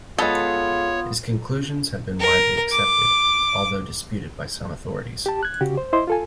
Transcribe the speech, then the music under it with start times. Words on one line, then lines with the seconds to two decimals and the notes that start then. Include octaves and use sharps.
His conclusions have been widely accepted, although disputed by some authorities.
0.18 G#3 B3 F4 A4 C#5
2.20 A#4
2.72 D6
5.26 G4 A5
5.43 F#6 G#6
5.61 C#3 F#4 G4
5.77 C5
5.93 E4 C5 D#5 C6
6.08 F4 A4 G#5